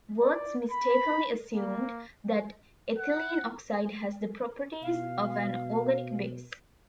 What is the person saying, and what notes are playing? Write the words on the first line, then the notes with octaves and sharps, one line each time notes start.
Wurtz mistakenly assumed that ethylene oxide has the properties of an organic base.
D5
B5
A#3
F#5
B2 F5